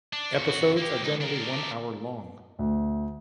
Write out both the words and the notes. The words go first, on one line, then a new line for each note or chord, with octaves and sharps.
Episodes are generally one hour long.
D4
F2 F#4
A#3 G4
C#2 D#4
D4 A#4
D2